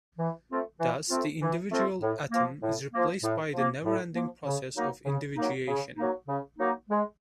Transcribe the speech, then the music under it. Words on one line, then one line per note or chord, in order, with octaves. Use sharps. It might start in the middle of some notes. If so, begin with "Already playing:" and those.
Thus the individual atom is replaced by the neverending process of individuation.
E3
A3 C4 F4
E3
A3 C4 F4
E3
A3 C4 F4
A2
F3 A#3
A2
F3 A#3
A2
F3 A#3
A2
F3 A#3
C#3
F#3 A#3 D#4
C#3
F#3 A#3 D#4
C#3
F#3 A#3 D#4
C#3
F#3 A#3 D#4
G#3